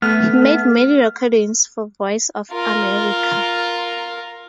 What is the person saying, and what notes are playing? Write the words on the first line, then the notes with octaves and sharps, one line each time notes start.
He made many recordings for Voice of America.
A3 B3 F6
F4 A#4